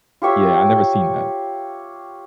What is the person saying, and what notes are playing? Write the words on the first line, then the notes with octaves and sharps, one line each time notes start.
yeah, I've never seen that.
F4 G4 C#5 E5